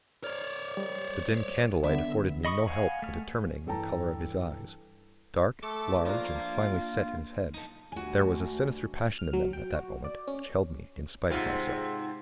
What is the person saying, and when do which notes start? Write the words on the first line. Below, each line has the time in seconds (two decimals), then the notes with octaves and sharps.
The dim candlelight afforded me no help in determining the color of his eyes. Dark, large, and finely set in his head, there was a sinister passion in them, at that moment, which held me in spite of myself.
0.24 C#5 D5 F6
0.77 G3
1.84 D3 B3 E5
2.45 D#5 B5 C#6 D#6
2.67 F5 F#5 G#5
3.02 A3 F6
3.66 G2 E3 A4 G5 A5 A#5
5.63 A3 A4 D6
6.05 F3 A#3 D4 F4 A#5
7.54 D#4 A4
7.92 D2 G3 F#4 G#5
9.19 F6
9.33 F#3
9.53 G5
9.75 F#4
10.04 D5
10.27 C#4
11.30 G#2 C3 F4